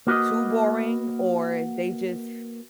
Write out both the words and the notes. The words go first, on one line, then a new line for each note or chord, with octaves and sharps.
too boring, or they just
A#3 F#4 B4 D#5